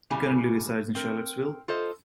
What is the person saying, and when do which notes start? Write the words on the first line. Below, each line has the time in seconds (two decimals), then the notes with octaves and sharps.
He currently resides in Charlottesville.
0.10 F2 A2 C#3 G3 G#5
0.95 C4 A#4
1.68 F4 A4 C5 D#5